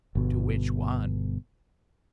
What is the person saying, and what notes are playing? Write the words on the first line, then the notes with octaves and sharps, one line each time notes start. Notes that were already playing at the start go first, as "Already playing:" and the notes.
"To which one?"
G1 B2